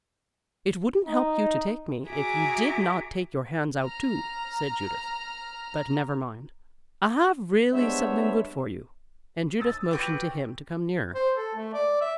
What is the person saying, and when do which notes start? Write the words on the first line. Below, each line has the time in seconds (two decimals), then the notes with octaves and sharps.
"It wouldn't help you to take me, if you did not take your hands out too," said Judith, "but never mind, I have really something good for you," and Judith motioned to him to come nearer.
1.06 D#4
2.07 F#4 G#4 E5 G#5 A#5 D6
3.83 A#5 F6
7.72 G3 G#3 B3 D4 C5 C#5 E5
9.60 D#6 E6 A6
9.91 D4 F#4 B4 G5
11.15 C5
11.36 A4
11.55 A3
11.73 D5
12.01 E5